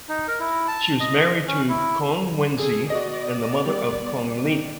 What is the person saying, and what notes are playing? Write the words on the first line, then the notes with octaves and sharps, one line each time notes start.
She was married to Kong Wenzi and the mother of Kong Li.
D#4
A#4
E4
A5
D#5
C#4
E4
G#4 A4
B3 F#4 D5 D#5
G3
D#3